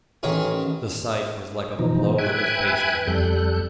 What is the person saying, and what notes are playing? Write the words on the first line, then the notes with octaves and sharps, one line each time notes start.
The sight was like a blow in the face to him.
A1 D#3 C#4 G#4
B2 E3 F3 D#4
B4 E5 G5 G#5 F#6 G#6
F2 G3 A4 F#6 G6